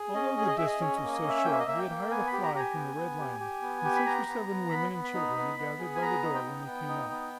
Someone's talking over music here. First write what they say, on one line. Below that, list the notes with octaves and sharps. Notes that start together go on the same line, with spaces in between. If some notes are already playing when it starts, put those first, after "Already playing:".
Although the distance was so short he had hired a fly from the Red Lion, and six or seven women and children had gathered by the door when they came out.
Already playing: G#4
C#4 D#5
G#4
D#5
G#4 E5
D#5
C#4 C#5
D#5
A#3
D#5
C#4
E5
A#3 G5
E5
D#5
A#3 E5
G5
A#3
B3 G#5
B5
G4
A#5
G4 G#5 A#5
B3
B3
G4
G4
B3
G4
B5
B3 A#5
B3
B3
B3 B5
B3
B5
D#4
B3
B3
G#4
G#5
B3 A#5
D#4
G5
B3
B3
D#4
B3